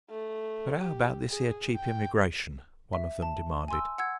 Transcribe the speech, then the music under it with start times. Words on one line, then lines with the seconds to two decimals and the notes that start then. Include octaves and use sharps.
"But 'ow about this 'ere cheap immigration?" one of them demanded.
0.10 A3
0.80 G4
1.29 G#4
1.75 G5
2.93 E5
3.22 A5
3.68 G#5 C6 E6
3.98 F#5 E6 G#6